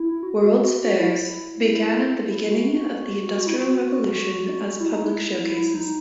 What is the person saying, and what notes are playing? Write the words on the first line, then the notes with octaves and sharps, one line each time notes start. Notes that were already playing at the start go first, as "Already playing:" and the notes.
World's Fairs began at the beginning of the Industrial Revolution as public showcases.
Already playing: E4
F#4
F#4
F#4
F#4
E4
F#4
F#4
E4
F#4
E4
D#4
E4
E4
D#4